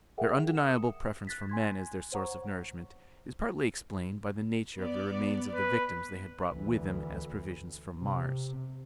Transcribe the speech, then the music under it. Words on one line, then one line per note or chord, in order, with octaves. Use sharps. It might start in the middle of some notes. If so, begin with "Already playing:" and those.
Their undeniable preference for men as their source of nourishment is partly explained by the nature of the remains of the victims they had brought with them as provisions from Mars.
G#4 A#4 E5 F#5 G5
D#6 C#7 E7
F#6 A6 B6
G#5 C6 G#6
C5 C#5 F#5 A#5 C#6
B3 D5
B4
D2 E3
C3